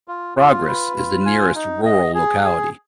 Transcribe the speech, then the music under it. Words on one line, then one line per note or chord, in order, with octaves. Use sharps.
Progress is the nearest rural locality.
F4
F4
B4
F4
G#5
D#4
D#5
G#4
G#4